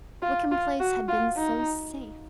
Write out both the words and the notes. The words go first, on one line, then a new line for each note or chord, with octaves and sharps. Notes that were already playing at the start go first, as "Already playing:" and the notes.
Wickham Place had been so safe.
F4
F4
F#4
F4
D#4